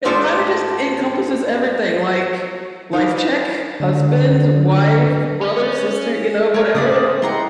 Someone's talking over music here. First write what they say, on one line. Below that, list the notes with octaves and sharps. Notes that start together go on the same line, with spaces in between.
It kinda just encompasses everything, like, life check, husband, wife, brother, sister, you know, whatever.
G#2 A3 F4 G#4 C5 D5
D#4 A#4 B4 D5
D3
C#4
G#4
G#3 A#4 C#5
C#3 G3 G#3 D5 D6 D#6
C4 G#4
G#3 E4 G4 F#5 A#5 C6